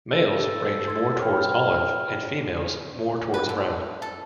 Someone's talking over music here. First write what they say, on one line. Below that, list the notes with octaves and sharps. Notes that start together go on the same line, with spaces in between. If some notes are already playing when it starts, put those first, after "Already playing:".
Males range more towards olive and females more towards brown.
A4
C6 G#6
C#5 G5 B5 F6
B4
D3
A4